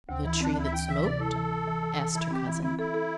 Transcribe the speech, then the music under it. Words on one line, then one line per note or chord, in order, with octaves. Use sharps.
"The tree that smoked?" asked her cousin.
D2 C4
E3 E4
C4 D4
D2 E4
E5
E3 G5
E3 E5
C3 D5
E4 A4
E3
E3
E3
E3
E3
E3 E4
C4 G4
E3 E4
C4 E4
E4 A4
A4